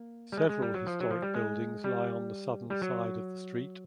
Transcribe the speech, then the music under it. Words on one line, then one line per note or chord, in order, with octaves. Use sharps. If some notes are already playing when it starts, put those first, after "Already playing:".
Several historic buildings lie on the southern side of the street.
Already playing: A#3
G3
G#3
G#3
G3
F#3
F3
F#3
F3
G3
G#3
G3
G3
F#3